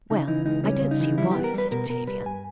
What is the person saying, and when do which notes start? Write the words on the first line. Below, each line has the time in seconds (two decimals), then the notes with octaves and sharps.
"Well, I don't see why," said Octavia.
0.10 C#3 D#4
0.27 E3 D#4
0.46 C#2 D#4
0.64 G3 C#4
0.81 C#3
0.91 D#4
1.00 E3
1.18 G3 E4
1.31 B3 G4
1.44 A#4
1.54 G3 B4
1.71 B2 A#4
1.90 B2 A#4
2.07 G3 B4
2.26 G2 G#5